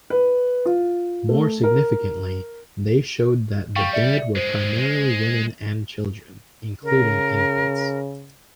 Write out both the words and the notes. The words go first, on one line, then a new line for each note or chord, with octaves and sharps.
More significantly, they showed that the dead were primarily women and children, including infants.
B4
F4
A3
A#4
G3 F5 G5 C#6
D5 E5 C#7
G2 G#3 C5
G#3
C#3 A#4